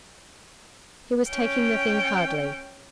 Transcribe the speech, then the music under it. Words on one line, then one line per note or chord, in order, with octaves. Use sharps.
He was taking the thing hardly.
C#4 G5